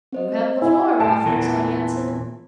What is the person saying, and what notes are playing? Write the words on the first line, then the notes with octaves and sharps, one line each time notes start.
"You have the floor, Raffles," I answered.
C4 C5 D#5
E4 G#5
A2 A5
E2 A#2 E3